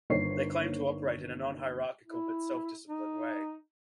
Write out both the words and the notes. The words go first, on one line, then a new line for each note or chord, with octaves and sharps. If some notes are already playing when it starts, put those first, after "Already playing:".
They claim to operate in a "non-hierarchical but self-disciplined way".
G1 D#3 A#3 C5 C#5 C7
E4
D#4